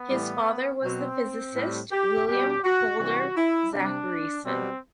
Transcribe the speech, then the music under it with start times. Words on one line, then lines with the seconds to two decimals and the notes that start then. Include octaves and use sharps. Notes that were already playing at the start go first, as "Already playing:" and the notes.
His father was the physicist William Houlder Zachariasen.
Already playing: B3
0.09 A2 E3 G3
0.82 B2 F#3 C4
1.55 A2 G3
1.91 G4
2.27 B2 G3 G4
2.64 F#4
3.00 C3 E3 G3 F#4
3.36 E4
3.72 C3 G3 D4
4.45 B2 G3 C4